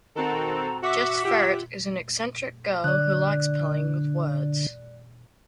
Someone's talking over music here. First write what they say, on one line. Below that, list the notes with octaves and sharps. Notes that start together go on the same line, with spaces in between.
Jess Ferret is an eccentric girl who likes playing with words.
D#3 C4 F#4 A4 A#5
F#4 E5 F#5 D6 B6
F4 G4
D3 D5 F#6